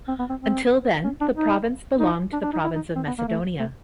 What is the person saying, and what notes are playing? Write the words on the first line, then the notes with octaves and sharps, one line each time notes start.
Until then, the province belonged to the province of Macedonia.
C4
B3
C4
C4
C#4
D4
D#4
D#4
D4
D4
D#4
E4
D#4
C4
B3
A#3
A3
A3